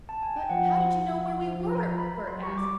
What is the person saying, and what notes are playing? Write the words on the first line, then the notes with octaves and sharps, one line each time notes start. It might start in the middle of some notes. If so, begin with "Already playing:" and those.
"But how did you know where we were?" Bert asked.
A5
G#5
G5
F3 F#5
A#5
B5
F#3 C6
G3 C#6
D6